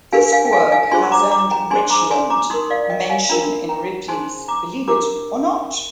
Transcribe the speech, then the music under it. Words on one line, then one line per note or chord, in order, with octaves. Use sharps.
This quirk has earned Richland mention in Ripley's Believe It or Not!
D4 G4 A#4 F5 G#5
F5 G#5
G5
F5 G#5
F5 G#5
D4 F4 G#4 C5 G#5 C6
A#5 D6
A#5 D6
G5 A#5
D4 G#4 C5 G#5 C6
A#5 D6
G#5 C6
A#5 D6
D#4 A#4 C6 D#6
D5 F5
D#5 G5
F5 G#5
D4 F4 A#4 G5 A#5
G5 A#5
D#4 G#4 C5 G#5 C6
A#5 D6
D4 G4 A#4 A#5 D6